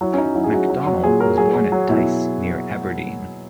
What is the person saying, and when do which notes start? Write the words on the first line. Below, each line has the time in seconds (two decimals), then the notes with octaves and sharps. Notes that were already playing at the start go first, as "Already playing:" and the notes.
Macdonell was born at Dyce near Aberdeen.
0.01 F#3 E4
0.14 C#4
0.18 F#3 D#4
0.34 F#3 E4
0.44 G#4
0.52 F#3 F#4
0.70 F#3
0.86 F#3
1.03 A#2 G#4
1.20 F#3 A#4
1.37 F#3 G#4
1.55 F#3
1.72 F#3
1.89 B2 E4